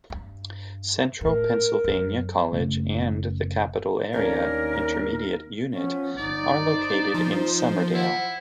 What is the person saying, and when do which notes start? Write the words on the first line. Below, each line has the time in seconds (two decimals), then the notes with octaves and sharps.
Central Pennsylvania College and the Capital Area Intermediate Unit are located in Summerdale.
0.10 G2
1.21 A2 A#4
1.84 F#2
2.52 F#1 C#3 A3
4.13 D#2 A#3 C#4 D4 A#4
5.72 F3 B3 C#4
6.18 G1 D#4 D5
6.66 C5
7.15 F3
7.95 E4 F#5